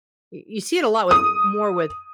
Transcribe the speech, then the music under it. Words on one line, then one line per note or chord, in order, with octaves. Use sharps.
y you see it a lot with more with
D#6